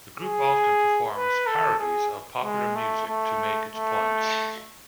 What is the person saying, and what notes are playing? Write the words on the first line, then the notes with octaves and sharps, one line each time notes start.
The group often performs parodies of popular music to make its point.
G#4
B4
A4
G#4
G#3
A3
A3
A3